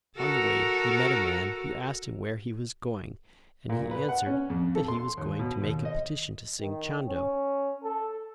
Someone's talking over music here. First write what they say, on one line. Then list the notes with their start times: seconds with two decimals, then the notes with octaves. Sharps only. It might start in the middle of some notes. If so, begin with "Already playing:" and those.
On the way he met a man who asked him where he was going and he answered that he was going to make a petition to Singh Chando.
0.17 F#4 A4 A#4
3.69 A#2
3.91 B4
4.09 F#5
4.26 C#4
4.50 F2
4.75 A4
4.88 C6
5.17 D#2
5.39 B2
5.62 D#2
5.85 D#5
6.60 D#3
7.08 C#4
7.83 A4